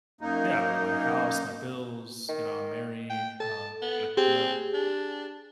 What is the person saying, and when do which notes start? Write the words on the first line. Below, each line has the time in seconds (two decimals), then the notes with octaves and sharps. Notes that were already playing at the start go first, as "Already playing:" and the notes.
yeah, I have my house, my bills, you know, I'm married, um, gotta clean up.
0.21 F#2 A#3 D#4
2.29 D#3
3.10 G5
3.40 A4 A5
3.82 B3
4.17 C4 G4 G#4
4.74 D4